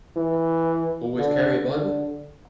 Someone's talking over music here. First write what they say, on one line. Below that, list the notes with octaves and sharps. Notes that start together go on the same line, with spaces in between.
Always carry a bible?
E3
D3
D3